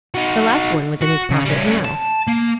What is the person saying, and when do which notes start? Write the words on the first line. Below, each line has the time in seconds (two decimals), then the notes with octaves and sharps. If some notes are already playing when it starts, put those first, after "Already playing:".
The last one was in his pocket now.
0.14 D#4 F#4
1.01 F#4
1.30 C#3
1.45 G3 C#4
1.85 A5
2.28 A#3